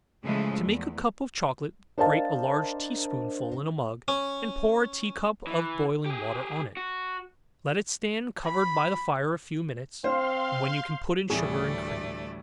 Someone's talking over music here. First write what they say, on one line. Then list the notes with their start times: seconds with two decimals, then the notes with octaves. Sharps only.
To make a cup of chocolate, grate a large tea-spoonful in a mug, and pour a tea-cup of boiling water on it; let it stand covered by the fire a few minutes, when you can put in sugar and cream.
0.24 C#3 E3 F3 G#3 A3
0.64 E2
1.98 D4 A#4 C5 D#5 F5 A5
4.08 C#4
5.47 E3
6.06 G4 G#4
6.77 F#4
8.44 B5
10.04 C4 C5 F5 C6
11.30 D2 A2 E3 G3 A3 G#4 D5